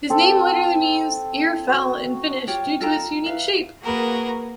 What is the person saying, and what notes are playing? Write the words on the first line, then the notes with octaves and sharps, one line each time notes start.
Its name literally means "Ear Fell" in Finnish due to its unique shape.
C4 A4
F#4
F4 G4 C#5
F4 A4 G5 A#5
B4 E5 F5
A#3 F#4 G#4 A#4 B4